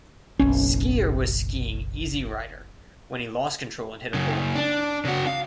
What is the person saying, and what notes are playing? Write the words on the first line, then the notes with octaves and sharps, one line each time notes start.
Skier was skiing Easy Rider when he lost control and hit a pole.
F#1 B1 C#4
F#2 C#3
D4
C#3 F#4
F5